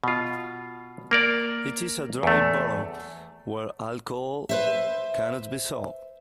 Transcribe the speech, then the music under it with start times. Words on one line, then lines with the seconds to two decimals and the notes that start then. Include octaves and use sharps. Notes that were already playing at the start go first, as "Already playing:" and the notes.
It is a dry borough, where alcohol cannot be sold.
0.04 B2 F4
1.11 A#3 A#4 D5
2.23 E2 A3
4.49 B4 C5 E5